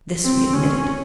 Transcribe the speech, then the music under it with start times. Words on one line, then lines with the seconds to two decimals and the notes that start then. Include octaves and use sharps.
This we admitted.
0.24 C4
0.53 C#4